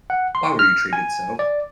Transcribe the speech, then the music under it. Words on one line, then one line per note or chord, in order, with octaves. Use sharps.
Why were you treated so?
F#5
C6
F6
G#5
D5